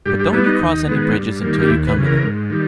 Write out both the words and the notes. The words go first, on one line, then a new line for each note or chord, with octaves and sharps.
But don't you cross any bridges until you come to them.
G2 G4
G4
G3 B3 E4
D#4
D#2
D#3 G#3 B3
G2
D#3 G3 A#3
G4
D#2 E4
B4
C#3 E3
A#4
G#2
D#3 G3